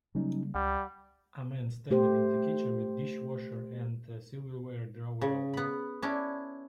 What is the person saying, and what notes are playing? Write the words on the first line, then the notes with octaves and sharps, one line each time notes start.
A man standing in a kitchen with dishwasher and silverware drawer open.
C#3 F#3 G3 A#3 C#4 D#4
C#2 G3 F#5
A3 G4 C5
C#3
B3 B5
C#4 D4 E4